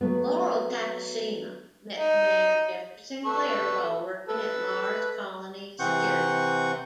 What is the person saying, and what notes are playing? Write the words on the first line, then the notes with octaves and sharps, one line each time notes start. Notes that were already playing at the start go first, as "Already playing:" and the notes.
Laurel Takashima met Commander Jeffrey Sinclair while working at Mars Colony Security.
F#3 A3 B3
D#4
A4 B4 C#6
A4 B4
C3 E3 C4 F#5 C#6 G6